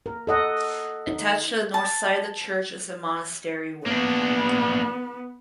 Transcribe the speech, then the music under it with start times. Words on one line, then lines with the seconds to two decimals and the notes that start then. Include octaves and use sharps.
Attached to the north side of the church is the monastery wing.
0.06 A#4
0.27 A4 D#5 F#5
1.07 D#4
1.74 A5
3.86 A#3 B3 D4